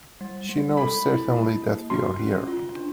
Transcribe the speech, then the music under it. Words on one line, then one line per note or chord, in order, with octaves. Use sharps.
She knows certainly that we are here.
G3
G3
A4 B5
E4
A#3
A#3
F#4 C6
C#4
F4
D4